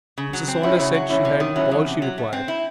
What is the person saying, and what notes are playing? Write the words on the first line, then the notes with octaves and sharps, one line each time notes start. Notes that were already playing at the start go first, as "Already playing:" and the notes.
Mrs. Saunders said she had all she required.
C#3
F#3
C4
C#4 E4 F#4
C#3
F#3
E2 C#4 E4
C3
D#3
F#3 C#4 E4
E2
C3
F#3
A3
C4
E4